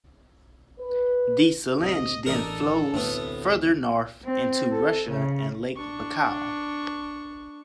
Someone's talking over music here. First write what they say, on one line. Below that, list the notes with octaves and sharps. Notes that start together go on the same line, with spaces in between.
The Selenge then flows further north into Russia and Lake Baikal.
B4
D2 C3 D#5
A1 D4 D#4 A4 A#4
D2 A2 C3 B3
C4
A4
C#3
D4 C#6